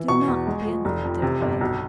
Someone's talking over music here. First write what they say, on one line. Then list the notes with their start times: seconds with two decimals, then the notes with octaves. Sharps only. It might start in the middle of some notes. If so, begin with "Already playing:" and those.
'Do not be annoyed, dear wife.
Already playing: E3
0.08 B2 C#6
0.27 E2
0.47 G#3
0.65 F3
0.85 F1
1.04 F2
1.22 C3
1.41 G1
1.61 B1